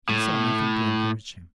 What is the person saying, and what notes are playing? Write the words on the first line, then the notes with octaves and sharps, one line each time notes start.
He saw nothing to encourage him.
A2